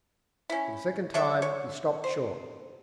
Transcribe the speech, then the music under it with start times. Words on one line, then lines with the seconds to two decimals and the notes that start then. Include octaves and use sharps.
For the second time, he stopped short.
0.50 C#4 E4
1.14 D4 A4 C#5 E5
1.42 C#5
2.04 C5